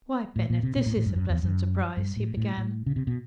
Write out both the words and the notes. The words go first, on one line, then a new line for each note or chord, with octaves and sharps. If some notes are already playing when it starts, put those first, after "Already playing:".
"Why, Bennett, this is a pleasant surprise," he began.
A2
A#2
C3
B2
A2
A2
G2
F#2
E2
F#2
G2
A2
A2
A2
C#3
C3
B2